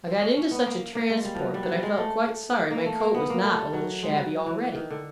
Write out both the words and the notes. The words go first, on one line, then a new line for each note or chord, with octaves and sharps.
I got into such a transport, that I felt quite sorry my coat was not a little shabby already.
C4
C#4
C#4
B3
A#3
A#3
G#3
G3
F3 F#3
G3
F#3
G3
G#3
A3
A#3
A3
A#3
B3
A#3
A3
G3
F#3
G#3
G3
F#3
E3
D#3
D3